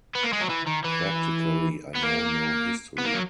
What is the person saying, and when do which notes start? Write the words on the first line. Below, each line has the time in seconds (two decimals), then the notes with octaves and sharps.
Practically I know no history.
0.15 B3
0.24 A#3
0.33 G#3
0.41 F#3
0.50 E3
0.67 D#3
0.84 E3
1.96 B3
2.03 A#3
2.98 B3
3.05 A#3
3.14 F#3